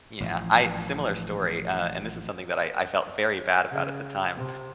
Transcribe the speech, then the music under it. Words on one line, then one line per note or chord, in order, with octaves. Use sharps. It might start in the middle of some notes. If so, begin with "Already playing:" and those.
Yeah. I similar story, uh, and this is something that I I felt very bad about at the time.
A1 A2 F3
C#3
C3